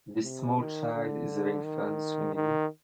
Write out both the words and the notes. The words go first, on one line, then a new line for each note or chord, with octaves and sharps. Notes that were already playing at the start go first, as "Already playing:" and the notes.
This small child is having fun swinging.
C3
D#3
D3
D#3
D#3